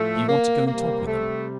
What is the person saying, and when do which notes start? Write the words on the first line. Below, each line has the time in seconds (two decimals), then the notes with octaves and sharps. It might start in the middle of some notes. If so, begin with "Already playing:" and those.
"Do you want to go and talk with them?"
Already playing: A2 F3 A3
0.28 A#3
0.67 C3 G3 A#3
1.07 A3